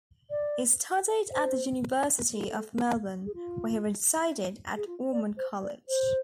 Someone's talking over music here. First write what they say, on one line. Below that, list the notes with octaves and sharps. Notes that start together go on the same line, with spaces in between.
He studied at the University of Melbourne, where he resided at Ormond College.
D5
C5
A4
G#4
F4
G#4
F4
D5
C5
D5
C5